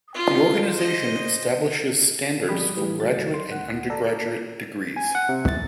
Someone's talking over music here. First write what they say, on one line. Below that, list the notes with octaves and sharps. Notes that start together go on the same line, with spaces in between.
The organization establishes standards for graduate and undergraduate degrees.
F4
C5 D#5
B1 F2 G3 G#3 B5 D#6
A2 E3 G3
G#1 C#2 F#3 A3 A6
C6
D2 F#5
A4 D5 A#5
G#5
F#5
C3
A6